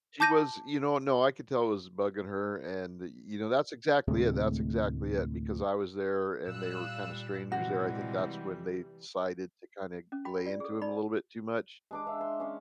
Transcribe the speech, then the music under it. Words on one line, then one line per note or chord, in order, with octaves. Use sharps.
She was, you know no, I could tell it was bugging her, and, you know, that's exactly it, that's exactly it, because I was there and they were kinda strangers there; I think that's when they decided to kinda lay into him a little bit too much.
A5 D6 G6 A#6 D#7
D2 A2 C3 G#3
A#2 G3 F5 E6 F#6
C3 E3 G3 G#3 F#4
C#4
F#4 G5 B5
F4 D5
G#4 A4
D#4 D5 B5
G#3 D4 D6
E5 F5
C6
C#4 F5